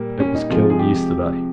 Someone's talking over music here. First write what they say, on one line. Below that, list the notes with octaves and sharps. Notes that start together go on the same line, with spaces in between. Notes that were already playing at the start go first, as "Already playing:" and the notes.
It was killed yesterday.
Already playing: A#2 G3 A#3
C#4
D#4
C3 F3 G#3 F4
G#4
G4
G4